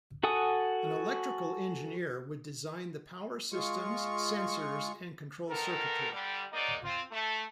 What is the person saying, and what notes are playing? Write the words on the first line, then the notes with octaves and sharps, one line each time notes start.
An electrical engineer would design the power systems, sensors, and control circuitry.
F#4 A4 F#5 G#5 D#6
G#3 F4 C#6
D#3 B3 A4 A#4
D3 G3
F#3 G#3 A#3 D#4 D5
C4 F4
A3